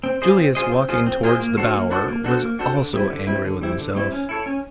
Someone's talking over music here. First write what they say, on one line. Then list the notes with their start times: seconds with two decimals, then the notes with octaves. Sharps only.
Julius, walking towards the Bower, was also angry with himself.
0.04 C4
0.22 F4 G#4 C5 D#5
0.38 C4
0.55 F4 G#4 C5 D#5
0.72 C4
0.89 F4 G#4 C5 D#5
1.06 C4
1.23 F4 G#4 C5 D#5
1.40 A#3
1.57 D4 F#4 A4 C5
1.74 A#3
1.91 D4 F#4 A4 C5
2.08 A#3
2.24 D4 F#4 A4 C5
2.42 A#3
2.59 D4 F#4 A4 C5
2.76 D3
2.93 G3 C4 E4
3.11 D3
3.27 G3 C4 E4
3.44 D3
3.61 G3 C4 E4
3.78 D3
3.95 G3 C4 E4
4.12 C#4
4.29 E4 A4 C#5
4.46 C#4